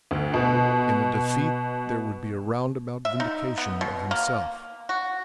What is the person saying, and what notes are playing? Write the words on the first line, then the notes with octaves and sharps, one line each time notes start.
In a defeat there would be a roundabout vindication of himself.
D2
B2
E5
D#4
B3
B2
A#3
F#4